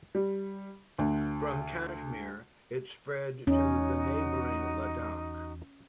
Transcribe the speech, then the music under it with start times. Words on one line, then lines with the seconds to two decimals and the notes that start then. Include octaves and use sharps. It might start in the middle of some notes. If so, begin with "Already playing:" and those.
From Kashmir, it spread to the neighbouring Ladakh.
0.15 G3
0.98 D2
3.47 E2 C#4 D#4 F#4